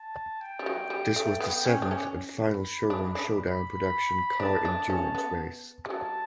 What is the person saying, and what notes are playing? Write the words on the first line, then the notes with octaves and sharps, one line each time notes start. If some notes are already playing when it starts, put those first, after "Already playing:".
This was the seventh and final Showroom Showdown production car endurance race.
Already playing: A5
G5
G3
F#3
G3
A3
B3 G5
C#4
D4
C#4
B5
D4
D4
B5
D4 A5
D4
C#4 A5
B3
G3
F#3 A5